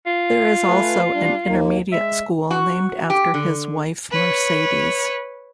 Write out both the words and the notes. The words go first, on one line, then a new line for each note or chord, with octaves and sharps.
There is also an intermediate school named after his wife Mercedes.
F4
A3 B4 G#5
G3 D4
D#2 D#3 A#3
G#3 E5
F#4
G4
D3
B4 C#5